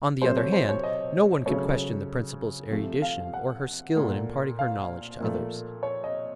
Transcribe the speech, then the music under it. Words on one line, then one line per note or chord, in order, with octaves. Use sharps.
On the other hand, no one could question the principal's erudition or her skill in imparting her knowledge to others.
C3 F#3 A3 C5
C#5
C5
C#5
D#5
C#3 F#3 A3 C#5
C3 F3 A3
F5
F#5
A#2 A3
F5
A#2 F3 A3
C#5
D#5